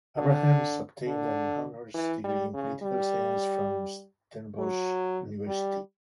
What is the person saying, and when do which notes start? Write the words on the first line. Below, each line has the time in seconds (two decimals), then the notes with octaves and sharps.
Abrahams obtained an honours degree in political science from Stellenbosch University.
0.18 D3
1.06 D3
1.94 E3
2.24 G3
2.53 C#3
2.82 G3
4.58 F#3
5.47 G3